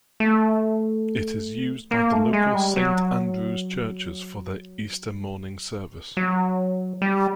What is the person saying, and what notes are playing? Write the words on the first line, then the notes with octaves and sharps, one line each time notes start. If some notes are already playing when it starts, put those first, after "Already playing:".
It is used by the local Saint Andrews churches for their Easter morning service.
A3
A#3
A3
G#3
G3
F#3
F#3
G3